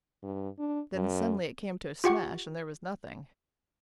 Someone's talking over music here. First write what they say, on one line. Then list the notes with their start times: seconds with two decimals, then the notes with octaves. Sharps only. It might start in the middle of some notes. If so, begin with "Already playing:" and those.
Then suddenly it came to smash, and there was nothing.
0.23 G2
0.59 D4
0.95 F#2
2.04 F4 G4 F#5 C#6